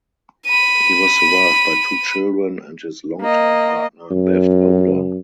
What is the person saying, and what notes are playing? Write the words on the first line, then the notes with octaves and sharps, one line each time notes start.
He was survived by two children and his longtime partner Bev Oda.
B5 D#7
A#3 D#5
F#2